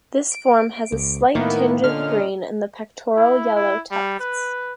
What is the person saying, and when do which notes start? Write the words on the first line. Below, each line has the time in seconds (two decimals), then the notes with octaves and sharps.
This form has a slight tinge of green in the pectoral yellow tufts.
0.32 D7
0.92 C#2
1.35 A2 D#3 A#3 B3 E4 A#4
1.84 A#2 D3 C#4 D#5 F6
3.16 E4
3.55 E4
3.91 G3
4.20 B4